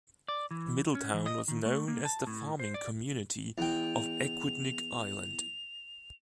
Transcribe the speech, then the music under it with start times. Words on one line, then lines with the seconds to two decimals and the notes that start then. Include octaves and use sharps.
Middletown was known as the "farming community" of Aquidneck Island.
0.28 D5
0.51 E3
0.95 C#4
1.14 E3
1.26 D#5
1.48 D#3
1.66 A3
1.88 A#3
2.05 A5
2.27 A2
2.59 C5
2.74 D5
3.58 E2 G5 F7